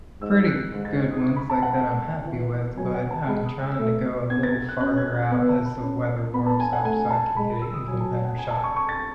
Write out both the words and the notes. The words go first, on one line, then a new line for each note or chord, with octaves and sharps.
pretty n good ones, like, that I'm happy with, but I'm trying to go a little farther out as the weather warms up so I can get a even better shot.
G#2 E6
F#6
G#2 F#6
A6
G#6
D#6
C#6
B5
A5
F#5
E3
F#3 G#5
F#5
A5
G#3 B5
D#6
E6
A3
B3 G#6
A6
F#6
C#4 F#6
G#6
F#6
B3 E6
A5
B5
C#4
B3 B5
A5
G#5
F#5
A3 G#5
A5
G#3 B5
E6
D#6
F#3 G#5
A5
F#5
G#5
A5
C#6
C#6
A6